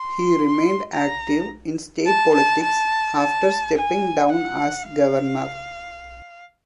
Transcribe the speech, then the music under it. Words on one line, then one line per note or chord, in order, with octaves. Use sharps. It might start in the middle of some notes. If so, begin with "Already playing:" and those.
He remained active in state politics after stepping down as governor.
Already playing: C6
A#5
A5
A5
A5
A5
G#5
F#5
F5